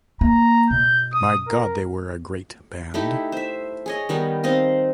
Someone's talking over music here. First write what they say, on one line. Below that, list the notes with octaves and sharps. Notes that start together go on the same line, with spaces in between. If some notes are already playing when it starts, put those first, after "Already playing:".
My god, they were a great band!
A#3 A#5
B2 G6
D#6
A#4
A3 D#4 E4 G4
C5 E5
G#4 C#5 D#5
D#3 G3 B3 D#4
C4 D#4 D#5 F5